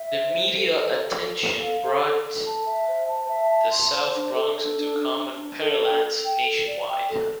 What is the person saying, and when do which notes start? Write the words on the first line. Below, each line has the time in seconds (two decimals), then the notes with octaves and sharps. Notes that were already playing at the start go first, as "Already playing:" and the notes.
The media attention brought the South Bronx into common parlance nationwide.
Already playing: E5
0.13 C5
0.33 C5
0.55 A4
0.76 A4
0.97 A4
1.18 A4
1.40 A4
1.61 F5
1.81 A4
2.03 A4
2.23 A4
2.45 A5
2.65 E5
2.86 C5
3.08 A5
3.29 E5
3.50 A5
3.71 C6
3.92 C5
4.13 D4
4.35 A4
4.55 A4
4.77 D4
4.98 D4
5.19 D4
5.40 D4
5.61 A4
5.82 G5
6.04 A4
6.24 G5
6.45 A4
6.66 D5
6.88 G5
7.09 A4